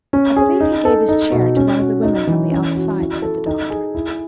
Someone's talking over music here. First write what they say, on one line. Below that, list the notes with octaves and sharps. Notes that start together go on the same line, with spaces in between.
"I believe he gave his chair to one of the women from the outside," said the doctor.
C#4
G#4
D#4
A4
D#4
B2
C#4
F#4
D#4
E3
C#4
F#4
E4
A4
D#4
G#4
E4